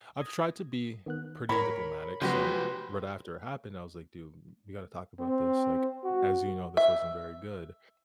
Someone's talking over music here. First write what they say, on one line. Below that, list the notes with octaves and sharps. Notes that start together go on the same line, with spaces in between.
I've tried to be pretty diplomatic, so, right after it happened, I was, like, "Dude, we gotta talk about this, like, as you know, this wasn't very good,
D#6 G#6 A#6
D#3 B3 F#6
A2 A#4 C#5 B5 G#6
C#3 F3 F#3 G#3 B3 F#4 G4 B4
C4
F#4
E5